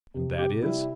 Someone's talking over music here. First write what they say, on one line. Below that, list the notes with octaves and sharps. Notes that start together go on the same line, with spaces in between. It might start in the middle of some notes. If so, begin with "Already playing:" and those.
"And that is--?"
C3
C3 G4
G3 E4